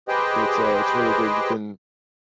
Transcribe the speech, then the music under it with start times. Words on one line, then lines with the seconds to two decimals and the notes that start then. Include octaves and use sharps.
it's, uh it's really good. You can
0.08 G4 G#4 B4 C5 D#5 G5